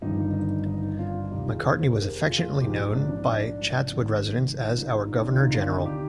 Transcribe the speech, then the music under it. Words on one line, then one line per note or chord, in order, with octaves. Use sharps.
Macartney was affectionately known by Chatswood residents as "our Governor General".
G#1 G2 D3 F3 D#4
D#4
D#4
D4 F4
F1 F2 D#3 D#4 G4
F4 G#4
G#4 C5
G#4 C5
G4 A#4
F4 G#4
G#4
A#1 G#2 F3 D#4 G4
D#4
D4
D4
G#1 G#2 F3
D#4
D#4
D4 F4
D#4
D2 C3 D#3 D4
F4
D#4
D4 F4
D#4 G4
D#4 G4